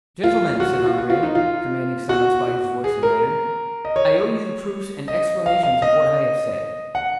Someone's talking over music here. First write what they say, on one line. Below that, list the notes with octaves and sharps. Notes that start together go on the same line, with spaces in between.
"Gentlemen," said Andrea, commanding silence by his voice and manner; "I owe you the proofs and explanations of what I have said."
F4
F4
F#4
F#4
F4
F#4
F4
D#4
F4
F#4
F#4
G#4
A#4
D#5
C#5
D#5
F5
F5
D#5
F#5